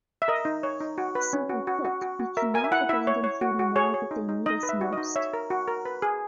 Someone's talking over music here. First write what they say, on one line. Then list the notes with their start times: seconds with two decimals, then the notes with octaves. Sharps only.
Simply put, we cannot abandon Haiti now that they need us most.
0.22 E5
0.28 A#4 D#5
0.45 D#4
0.63 C#5
0.80 D#4
0.98 F#4
1.15 B4
1.33 C#4
1.49 F#4
1.67 F#4
1.85 F#4
2.02 F#4
2.20 F#4
2.37 A#4 E5
2.54 A#4 G#5
2.64 E5
2.71 E4 F#5
2.89 E4 E5
3.07 C#5
3.24 C#5
3.41 F#4
3.59 F#4
3.76 G#4 C#5
3.94 C#5
4.11 D#4
4.29 D#4
4.46 D#4 D#5
4.63 B4
4.69 E5
4.81 F#4
4.93 D#5
4.98 D#4
5.16 C#5 E5
5.33 A#4
5.50 F#4
5.68 A#4
5.85 B4
6.02 G#4